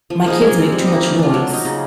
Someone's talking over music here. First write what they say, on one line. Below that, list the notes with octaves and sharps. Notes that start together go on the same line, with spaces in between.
my kids make too much noise,
F3
A#3 D#4 G#4
G#3
C4 F4
G3
A#3 D#4
A3
D4 F4
F#3
A#3 D#4
C#3